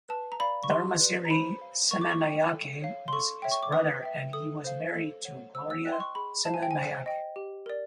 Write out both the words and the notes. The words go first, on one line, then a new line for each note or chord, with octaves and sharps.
Dharmasiri Senanayake was his brother and he was married to Gloria Senanayake.
B4 A5
A#5
D5 F5 B5
C#6
G4 C6
B4 D5
A#5
C5 B5
F5
A#4 C#6
D6
C#6
D5 G5
A4
C#5 F5
C6
A4 C#6
C#5 E5 G5
C#6
D6
B4 D#6
E5 G5
A4 D#6
C5 F5
A4
C#5 F#5
C5 E6
E6
D#5 G5 F#6
C6
C#6
G#4 B5
C5 F5 A5
G#5
G5
C5 G#5
D#5 G5
G4
A#4 D5